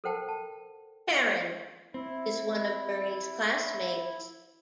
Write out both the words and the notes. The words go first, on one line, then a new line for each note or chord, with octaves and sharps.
Karen: is one of Bernie's classmates.
A4 A#4 C5 F#5 G5 A5
A5
E5
C4 E4